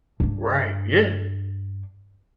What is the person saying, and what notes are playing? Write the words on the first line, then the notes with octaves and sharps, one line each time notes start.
Right, yeah,
G2 D4